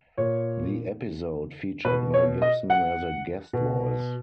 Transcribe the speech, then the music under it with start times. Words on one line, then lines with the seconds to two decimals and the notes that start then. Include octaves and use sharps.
The episode featured Mel Gibson as a guest voice.
0.17 A#2 C#5
1.85 B2 B4
2.14 C#5
2.42 D#5
2.70 F#5
3.53 B2